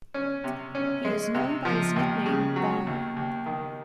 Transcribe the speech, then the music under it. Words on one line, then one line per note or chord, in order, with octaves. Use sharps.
He is known by his nickname "Bomber".
C#4
C3
C#4
G#3
C3
F3
D#2
C#3
F#3
D#2
D#2
D#3